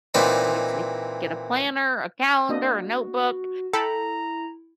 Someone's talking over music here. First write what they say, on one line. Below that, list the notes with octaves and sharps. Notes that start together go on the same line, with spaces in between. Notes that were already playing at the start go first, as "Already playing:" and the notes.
I would say, get a planner, a calendar, a notebook,
A#2 E3 C4 D#4 D5 B5
A#3 D4 F#4 D#5
E4 A4 G5 A#5 B5